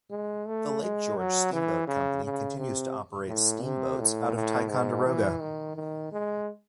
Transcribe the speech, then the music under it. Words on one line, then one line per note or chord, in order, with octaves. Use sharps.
The Lake George Steamboat Company continues to operate steamboats out of Ticonderoga.
G#3
A3
G#3
F#3
E3
C#3
C#3
C3
A2
C3
A2
A2
G#2
E3
D#3
D#3
G#3